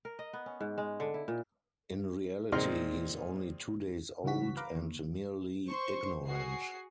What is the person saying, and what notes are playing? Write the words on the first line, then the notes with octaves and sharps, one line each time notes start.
In reality, he is only two days old and merely ignorant.
A#4
D#5
B3
C#4
G#2
G#3
D3
E4
A#2
A#2 G#3 C4 D#4 C6 F6
C#2 G2 E3 C#4 F#4 B6
B4 F5 A#5 D6
D#2
C5 C6 C#6
F#4 G#4 C7